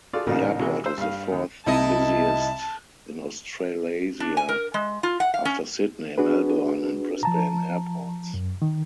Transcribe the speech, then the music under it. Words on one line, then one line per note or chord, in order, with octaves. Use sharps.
The airport is the fourth busiest in Australasia after Sydney, Melbourne and Brisbane airports.
F4 F#4 G#4 A4 D5 F5
A1 A#2 C#3 D#4 A4 A#4
C3 E3 G#3 F#4 G#4 A#4
C5 E6
G2 F5
D#2
C2 D#4 E4 D#5 A5
D4
G#5
A#4
G#3
F4
F#5
F5
C#4
D4 F#4 G#4 B4
F3 A5 A#5
F#2
D#3